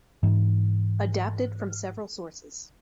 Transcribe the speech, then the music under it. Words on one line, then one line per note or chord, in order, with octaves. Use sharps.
Adapted from several sources.
G#2 E3